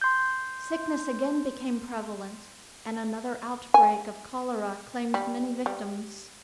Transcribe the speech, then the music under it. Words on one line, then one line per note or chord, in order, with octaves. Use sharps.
Sickness again became prevalent, and another outbreak of cholera claimed many victims.
C6 G6
G#5
G3
G3